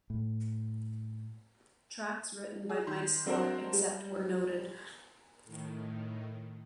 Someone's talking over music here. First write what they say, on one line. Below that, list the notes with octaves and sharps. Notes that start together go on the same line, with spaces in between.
Tracks written by Mike Scott, except where noted.
A2
G#4
D#3 C6
F#3 C4 D4 F#4 A#4 C5
G3
A2 D#3